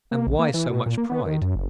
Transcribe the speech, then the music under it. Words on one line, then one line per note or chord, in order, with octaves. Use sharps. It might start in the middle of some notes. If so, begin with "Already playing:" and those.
And why so much pride?
A#3
A#1
A#3
E3
B2
A#2
A#3
B3
D#3
F#2
F#1